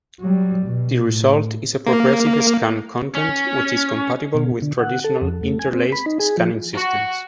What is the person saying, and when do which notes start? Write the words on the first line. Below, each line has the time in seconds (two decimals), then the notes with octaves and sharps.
The result is a progressive-scan content, which is compatible with traditional interlaced scanning systems.
0.20 F#3 G3
0.67 B2
1.06 A2
1.86 A#3
3.15 C#4
4.35 B2
4.62 D3
4.79 F#5
5.04 A4
5.21 F2
5.43 A3
5.59 G#5
5.74 C4
5.92 B5
6.06 D#4
6.20 G#4
6.38 F3
6.74 F#4